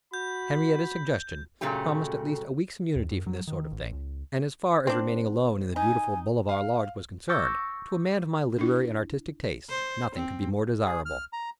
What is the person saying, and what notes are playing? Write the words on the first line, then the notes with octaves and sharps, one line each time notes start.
Henriette's suggestion promised at least a week's immunity from this sort of thing, and as far as remaining alone in the beautiful Bolivar Lodge was concerned, to a man of my literary and artistic tastes nothing could be more desirable.
F#4 B5 G6
A#2 C#3 F#3 A3 G4
D#2
F#2
F#3
D#3
A1
C#2
C4 D4
D#4 G#5
F5
C#6 D6 E6 G6 A6 A#6
D4 E4
C5
C4
G#4
F6
A#5